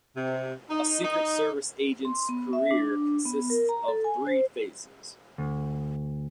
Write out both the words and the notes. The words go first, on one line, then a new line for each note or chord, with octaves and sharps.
A Secret Service agent's career consists of three phases.
C3
D#4
D#4
C6
B3
E5
D4
B3
A#4
A#5
A4
G#5
C5
D2